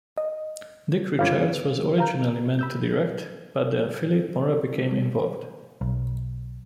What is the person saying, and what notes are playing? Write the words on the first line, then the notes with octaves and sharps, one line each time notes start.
Dick Richards was originally meant to direct but then Philippe Mora became involved.
D#5
G1 G3 C#4 F5
F5 A#5 G6
B5 E6 G6
B1